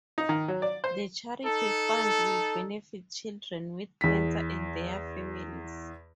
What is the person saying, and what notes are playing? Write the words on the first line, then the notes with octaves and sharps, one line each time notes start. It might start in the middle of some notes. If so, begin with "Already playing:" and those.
The charity fund will benefit children with cancer and their families.
D#4
D#3
F#3
D5
C5
D#4 A4
E2 B6